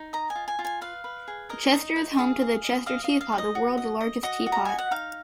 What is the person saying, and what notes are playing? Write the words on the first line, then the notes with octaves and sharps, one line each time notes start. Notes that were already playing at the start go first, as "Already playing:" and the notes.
Chester is home to the Chester teapot, the World's Largest Teapot.
Already playing: D#4
D#5 A#5
G#5
F4
G#5
F4
G#5
B4 F5
B4
G#4
A#4 D#5
D#4
D#4
G#4 F5
G#4
D#5
D#5 F5
F5
D#5
F5
D#4
D#5
F#4
D#5
D#5
F#4 D#5
F#4
A#5
F#4 G#5
F#5
D#4 F5